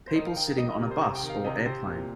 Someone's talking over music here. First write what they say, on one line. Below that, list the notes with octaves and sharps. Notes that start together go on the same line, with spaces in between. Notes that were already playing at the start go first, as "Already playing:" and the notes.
People sitting on a bus or airplane.
C5
D#3 D#5
F5
D#3 G5
G3 D#5
D#5
C3 A#4
C5
C3 A#5
G5
D#3
F5
C3 D#5
C3 C5
A#2